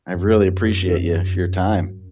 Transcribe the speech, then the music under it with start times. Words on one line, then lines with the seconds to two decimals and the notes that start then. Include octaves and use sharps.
I really appreciate you for your time.
0.15 F#2
0.90 F2
1.06 F#2